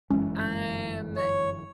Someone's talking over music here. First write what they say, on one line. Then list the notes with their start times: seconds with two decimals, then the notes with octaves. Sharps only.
Um, eh,
0.10 G1 F#2 E3 G#3 C#4
1.16 C#5